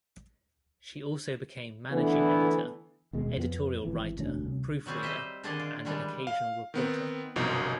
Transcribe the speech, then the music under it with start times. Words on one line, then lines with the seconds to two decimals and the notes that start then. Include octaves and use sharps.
She also became managing editor, editorial writer, proof reader and an occasional reporter.
1.91 D3 E3 A3 B3 E4
3.13 D#1 B2 G#3
3.37 F2 F3 B3
3.85 G#1 E3
4.17 E1 D2 C#4
4.44 C2
4.86 D#3 F#3 G3 C4 G#4
5.03 D#4 G4 C5 D#5 E5
5.44 D3 D#3 D4 G#4 D5 D#5
5.59 F4
5.85 D#3 E3 G3 G#3 D4
6.27 F5
6.74 D#3 B3 C4
7.36 G1 C2 F#2 B2 F3 D#4